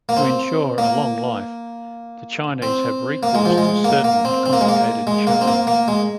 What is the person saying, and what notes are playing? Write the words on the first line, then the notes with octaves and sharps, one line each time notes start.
To ensure a long life the Chinese have recourse to certain complicated charms.
A#3
C4
A#3
C4
A#3
G#3
F3
G#3
A#3
A#3
C4
C4
A#3
G#3
A#3
G#3
A#3
C4
A#3
A#3
G#3